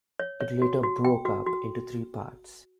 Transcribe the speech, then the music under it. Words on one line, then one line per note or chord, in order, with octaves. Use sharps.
It later broke up into three parts.
C#5
C#5
F#4
F#4
G5
F#4
F#4